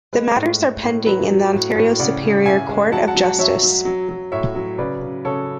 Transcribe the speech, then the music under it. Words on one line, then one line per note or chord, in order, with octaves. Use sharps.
The matters are pending in the Ontario Superior Court of Justice.
G#3 B4
A2
A2
A2
F#3 B4
F#3
A2
A2
C#3 D5 F#5
C#3
C#3 E5 G#5
G#3
F#3 F#5 A5
F#5 A5
F#3
F#5 A5
F#3 C#5 E5
F#3
F#3
F#3
A2 C#5 E5
F#3
C#3 B4 D5
C#3
C#3 A4 C#5